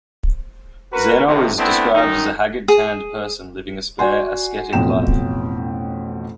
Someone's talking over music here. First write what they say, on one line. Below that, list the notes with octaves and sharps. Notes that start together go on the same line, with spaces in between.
Zeno is described as a haggard, tanned person, living a spare, ascetic life.
F#4 A#4 B4
F2 A2 C3 D#3
A3 B3 C4 D4 E4
F#2 D#3 D#4
G#4
F#4 D5 F#5 G#5 C6
A1 F2 B2 G5 E7